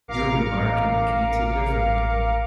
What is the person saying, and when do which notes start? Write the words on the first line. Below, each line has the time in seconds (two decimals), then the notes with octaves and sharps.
Your remark indicates a different opinion....
0.08 A1 A#4 F5 A#5 D6 C#7